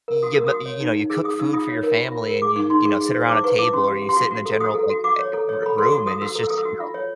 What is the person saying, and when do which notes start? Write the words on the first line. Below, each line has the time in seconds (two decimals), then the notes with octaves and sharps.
you m you know, you cook food for your family and you you know, sit around a table or you sit in a general, like, eh eh, r room and it's just, you know
0.08 A#4
0.23 F#4 D#6
0.34 A#4 E6
0.47 F#4 D#6
0.66 C#5
0.80 D#4
0.96 D#4
1.10 G#4 E6
1.24 G#4 D#6
1.39 D#4 E6
1.53 F4 D#6
1.68 C#5
1.83 A#4
1.97 F4
2.12 F4
2.27 A#4
2.42 G#4 D6
2.56 D#4 C#6
2.70 D#4 C6
2.85 G#4 C#6
3.00 G#4
3.14 C5
3.29 E4 D6
3.44 B4 C#6
3.58 E4 D6
3.73 C#4 C6
3.88 G4
4.02 G4
4.09 C6
4.16 F#4 C#6
4.31 F#4
4.46 A4
4.60 F#4 D#6
4.75 A4
4.90 F#4
5.04 F#4 D6
5.19 C#5
5.34 A4
5.49 C#5
5.63 A4 B5
5.78 A4 C6
5.92 F#4 C#6
6.06 F#4 D#6
6.22 F#4 E6
6.35 A4
6.44 E6
6.50 A4 D#6
6.58 E6
6.65 F#4
6.80 F4
6.94 C#5